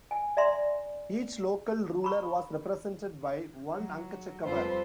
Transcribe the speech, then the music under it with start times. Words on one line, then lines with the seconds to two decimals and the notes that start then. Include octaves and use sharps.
Each local ruler was represented by one Ankachekavar.
0.11 G#5
0.37 D5 E5 A#5 C6
2.04 A#5 B5 C#6
3.74 F#3
4.45 F2 G3 F4 A4 B4 C5